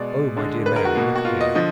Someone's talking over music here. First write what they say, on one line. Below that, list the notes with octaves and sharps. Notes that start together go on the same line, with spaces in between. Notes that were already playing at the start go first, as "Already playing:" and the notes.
Oh, my dear Mary, look here!
Already playing: B2 G#3 D5
D3 G#3
B4
A#4
F#4
B2 A#3
F#4
F4
D#5
D3 F3 D#5